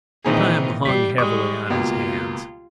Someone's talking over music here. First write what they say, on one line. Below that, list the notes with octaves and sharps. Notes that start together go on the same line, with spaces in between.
Time hung heavily on his hands.
A#2 D#3 E3 C4 D#4 G#4
G3 B6 C7
G3 G#3 C#6 D#6
C#2 B2 A#3 F4